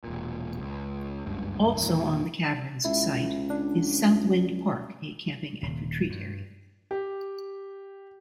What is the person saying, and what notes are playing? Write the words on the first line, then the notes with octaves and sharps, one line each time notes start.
Also on the cavern's site is "Southwind Park", a camping and retreat area.
E1 A#2
C#2
F#1 C#2 G2
E2 A#2 D#3
C#2 E4
D4
D#1
G2
G4